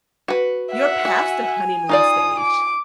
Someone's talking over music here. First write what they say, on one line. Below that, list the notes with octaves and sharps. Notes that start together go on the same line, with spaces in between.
you're past the honeymoon stage.
F#4 B4
E5 F#5
F#4 G#5
D#4 F4 D5 D#6
D6